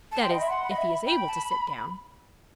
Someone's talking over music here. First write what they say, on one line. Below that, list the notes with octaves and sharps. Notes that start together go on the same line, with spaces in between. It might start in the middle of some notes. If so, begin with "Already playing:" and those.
That is, if he is able to sit down.
A5
G5 C6
D#5 B5
E5
F#5 C6
B5
D#5
E5
G5 B5
A5